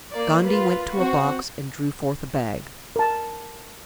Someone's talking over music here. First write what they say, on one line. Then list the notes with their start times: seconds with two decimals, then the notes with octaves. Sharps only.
Gondy went to a box and drew forth a bag.
0.13 A#3 D5
0.44 F4 B4
0.97 C4 F#4
2.96 A#4 A5